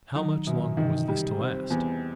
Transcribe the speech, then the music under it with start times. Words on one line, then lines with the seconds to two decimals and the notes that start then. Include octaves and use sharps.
How much longer was this to last!
0.16 D#3 F#3 D#4
0.47 F#2 B2 D#3
0.77 C3 D#3 E3
1.08 G3
1.39 C4
1.70 E2